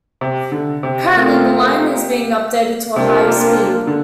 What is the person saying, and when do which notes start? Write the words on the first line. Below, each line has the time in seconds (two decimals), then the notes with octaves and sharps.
Currently the line is being updated to the higher speed.
0.21 C3
0.52 D3
0.83 C3
1.13 A3 C4 F4 A#4
2.96 C3 A#3 D4 F4 A#4
3.87 D3